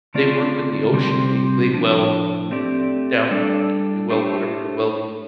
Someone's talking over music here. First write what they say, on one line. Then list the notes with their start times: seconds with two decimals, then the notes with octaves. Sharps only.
they work in the ocean, they they weld in in down, you know, they weld whatever they're welding,
0.14 D3 A3 C4 F4 D5
0.93 C3 G3 C4 G4
1.72 A2 F3 D4
2.51 A3 C4 G4 D5
3.31 G3 D4 A4 D5
4.10 A3 D4 G4 C5